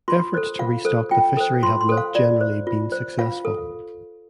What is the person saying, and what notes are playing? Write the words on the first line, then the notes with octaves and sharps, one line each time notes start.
Efforts to restock the fishery have not generally been successful.
F4 C6
A4 C5
F4 F5
A4 C5
F4 G5
A4 C5
F4 C6
C6
A4 C5
F5
F4 D5
C5
F4
C5
F4 F5
A4